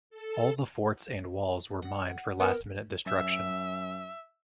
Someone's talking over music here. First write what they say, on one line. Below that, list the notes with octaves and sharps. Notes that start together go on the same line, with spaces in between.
All the forts and walls were mined for last-minute destruction.
A4
F#5
B3 A#4
F#2 E5